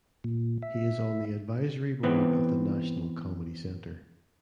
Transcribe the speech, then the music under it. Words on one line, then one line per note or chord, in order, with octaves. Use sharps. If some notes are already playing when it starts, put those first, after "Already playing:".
He is on the advisory board of the National Comedy Center.
A#2
E5
E3 B3 C4